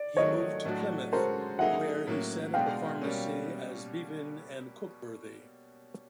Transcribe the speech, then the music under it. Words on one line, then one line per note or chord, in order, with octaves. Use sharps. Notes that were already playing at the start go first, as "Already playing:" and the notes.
He moved to Plymouth, where he set up a pharmacy as Bevan and Cookworthy.
Already playing: D5
D#3 F#3 A3 C#5 D#5
A2 F#3 A3 D4 F#4
G#3 C#4 F#4 A4 A#4 C5
F#3 A#3 D#4 G#4 E5 F#5
A2 F#3 A#3 C#4
B2 G#3 B3 D4 F5 G5
B2 G3 A#3 C#4